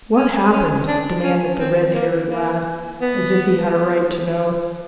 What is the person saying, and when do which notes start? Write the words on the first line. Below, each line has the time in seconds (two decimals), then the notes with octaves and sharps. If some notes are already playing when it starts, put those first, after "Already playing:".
"What happened?" demanded the red-haired lad, as if he had a right to know.
0.17 C#4
0.52 C#4
0.88 D4
1.23 C#4
1.59 C4
1.94 A#3
2.29 A#3
3.00 B3